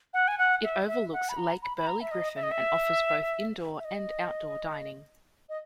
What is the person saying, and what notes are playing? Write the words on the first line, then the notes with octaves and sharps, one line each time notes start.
It overlooks Lake Burley Griffin and offers both indoor and outdoor dining.
F#5
G#5
F#5
E5
E5
F#5
B5
A#5
B5
B5
A#5
E5
D#5
E5
D#5
E5
E5
D#5
D#5